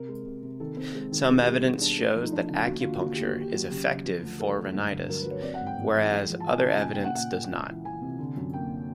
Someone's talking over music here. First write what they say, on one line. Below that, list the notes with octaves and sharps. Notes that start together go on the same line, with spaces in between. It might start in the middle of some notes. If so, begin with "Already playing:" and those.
Some evidence shows that acupuncture is effective for rhinitis, whereas other evidence does not.
Already playing: C3 A#4
G#3
C3
C3
D#3 A4
C4
G#3
D#3
B2 G#4
G4
G3
G#4
B3
D4
A3
F3
D#4
F3 D4
D#4
C#3
F4
D#2 F#4
F4
D3 F#4
D#2 F#4
D#2 G4
F#4
D#2 G4
F#3 F#4
C#3 G4
C#3
F3
D2
D2 A4
D2
G2
D3
F#3 A#4
B4
F#3
C#5
C4 D5
F#5
G#2
G5
G#2
E3
G#3
F3
A5
F3 G#5
A5
C#3
A5
A#2 G#5
G5
A#2 F#5
A#2 F#5
A#2
C#2
E3
E3 G#5
C3
D3
F#2
A#3 G5